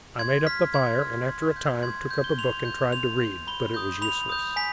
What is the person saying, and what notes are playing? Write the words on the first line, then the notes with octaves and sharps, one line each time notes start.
I made up the fire, and after a time took up a book, and tried to read, but it was useless.
C6 G#6
F6 B6
C6 G#6
F6
C6
G6
C6 G#6
G6
G7
C6 F7
G6
C6 F7
G6
B5 G7
D#6 G6
B5 F7
D#6 G6
G#5 B6